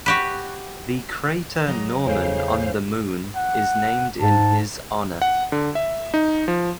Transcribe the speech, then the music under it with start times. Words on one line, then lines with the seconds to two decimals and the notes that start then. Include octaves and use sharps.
The crater Norman on the Moon is named in his honour.
0.06 F#4 G4 B4
1.67 F#3 G#4 D#5 A#5
2.06 E2 C#3 A4 C5 C#5 F5 G#5
3.36 F#5
4.21 G#2 A5
5.22 F#5
5.52 D3
5.75 E5
6.14 D#4
6.48 F3